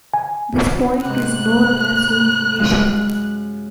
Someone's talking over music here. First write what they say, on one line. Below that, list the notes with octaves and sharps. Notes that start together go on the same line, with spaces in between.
This point is known as "ignition".
G#5
G#2 C3 F#6
F#2 G#3 F5